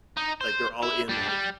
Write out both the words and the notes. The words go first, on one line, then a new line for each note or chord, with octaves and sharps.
like, they're all in, like,
D#4
C5
E4
G3 D4
G3